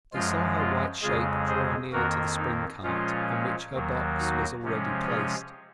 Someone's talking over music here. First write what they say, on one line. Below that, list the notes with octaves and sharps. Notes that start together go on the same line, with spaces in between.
They saw her white shape draw near to the spring-cart, on which her box was already placed.
F#2 F3 G#3 F4
F4
F2 C#3 G#3 F4 G#4
G#4 C5
F2 D#3 A#3 F#4 A#4
D#4
A#2 F3 G#3 C#4 F4
D#2 D#3 F#3 A#3
D#4 F#4
C3 F3 G#3 C#4
F4 G#4